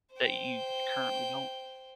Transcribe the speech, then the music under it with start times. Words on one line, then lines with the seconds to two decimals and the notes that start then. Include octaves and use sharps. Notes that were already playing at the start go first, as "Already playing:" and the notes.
that you currently don't.
0.14 C5 G5